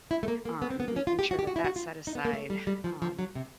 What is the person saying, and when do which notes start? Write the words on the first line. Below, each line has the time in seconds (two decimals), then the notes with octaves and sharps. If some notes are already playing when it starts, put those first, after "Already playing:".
um, making sure that that's set aside. Um,
0.11 E4
0.23 A3
0.28 A#3
0.45 A#3
0.62 B3
0.70 C4
0.80 B3
0.88 A#3
0.96 C#4
1.07 F4
1.19 G4
1.31 F#4
1.39 G4
1.47 F#4
1.56 E4
1.64 F#4
1.76 F4
2.07 D#4
2.15 B3
2.25 A#3
2.33 A3
2.50 G3
2.67 G3
2.84 F3
3.02 F3
3.19 F#3
3.35 C3